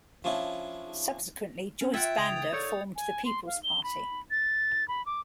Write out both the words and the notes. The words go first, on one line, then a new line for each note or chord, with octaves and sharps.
Subsequently Joyce Banda formed the People's Party.
F3 C#4 D4 E4
C#4
F4 E5 F#5 G5 G#6 A6
C#2 D#6 G#6 F7
A4 C#5 D5 C#6 G6 G#6 C#7
G#5
C6
F5
G7
B5
A6
B5
D6